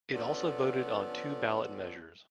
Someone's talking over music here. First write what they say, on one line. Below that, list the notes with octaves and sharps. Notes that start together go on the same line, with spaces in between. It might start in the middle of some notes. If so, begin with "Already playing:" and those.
It also voted on two ballot measures.
D3 F3 B3 C#4 A4 D5